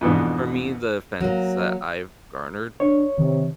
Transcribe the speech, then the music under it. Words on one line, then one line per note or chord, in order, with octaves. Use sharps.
For me, the fends that I've garnered
F2 G#2 B2 E3 D4
F#3 A#3
D4 C#5
C3 D#3